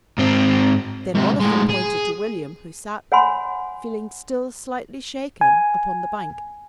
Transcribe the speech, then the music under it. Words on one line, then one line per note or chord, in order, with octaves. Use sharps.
Then one of them pointed to William, who sat, feeling still slightly shaken, upon the bank.
G#2 C4
G#2 C3
A2 G#3
G#4
C#5 F#5 G#5 B5 C6
G#5